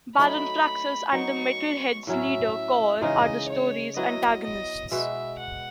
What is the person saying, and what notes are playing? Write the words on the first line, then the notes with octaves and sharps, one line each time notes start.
Baron Praxis and the Metal Heads' leader Kor are the story's antagonists.
F#3 A3 D#4 B5
F#3 B3 D#4 C#6
A2 F#3 C#4 E4 E5
C#3 E3 G#3 D#4 D#5
C#5
F#3 B3 E4 D#5
D#5
B2 G#3 B3 E5
F#5